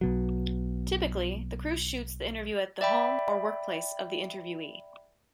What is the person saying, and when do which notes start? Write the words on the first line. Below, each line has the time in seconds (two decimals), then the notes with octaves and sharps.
Typically the crew shoots the interview at the home or workplace of the interviewee.
0.01 B1 B2 F#3
2.81 D5 E5 G5 B5